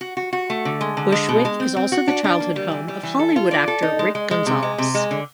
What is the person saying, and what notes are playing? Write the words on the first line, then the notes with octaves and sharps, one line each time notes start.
Bushwick is also the childhood home of Hollywood actor Rick Gonzalez.
F#4
F#4
F#4
A3
D3
G#3
D3
G#3
B2
G#3
C4
C4
F#4
D4
D4
A#3
G3
E3
G3
E3
A4
F4
D5
A4
D#4
G#3
G#3
G#3
C3
G#3
C3
G#3
D3